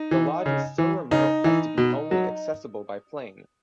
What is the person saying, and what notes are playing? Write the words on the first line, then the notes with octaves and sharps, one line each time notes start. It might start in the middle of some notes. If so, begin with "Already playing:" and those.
The lodge was so remote as to be only accessible by plane.
Already playing: D#4
E3
C#3
E3
C#3 D#4
E3
B2
F#3